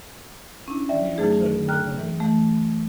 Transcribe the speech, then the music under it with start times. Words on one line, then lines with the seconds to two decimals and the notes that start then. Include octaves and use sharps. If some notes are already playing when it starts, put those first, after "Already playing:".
When are you returning my money?
0.68 C#4 D4 E4
0.89 D5 E5 G5
1.18 F#2 F#3 A3 D#4 G#4
1.68 G5 A#5 F6 F#6
1.98 E3
2.20 E3 A3